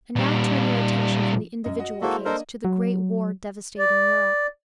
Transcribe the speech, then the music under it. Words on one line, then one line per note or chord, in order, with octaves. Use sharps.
And now turn your attention from the individual case to the great war devastating Europe.
A#2 G3
F#2 D#5
F#4 D#5
G#3 A#3 E4 F#4 A4 C5
A#3 D4 A4 A#4 C5 D#5
F#3
D5